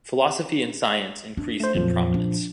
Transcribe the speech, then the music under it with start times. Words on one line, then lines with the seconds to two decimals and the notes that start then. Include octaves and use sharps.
Philosophy and science increased in prominence.
1.37 D4
1.60 A3 C5
1.75 B1 F2 A#2 F3 F#3
2.14 D4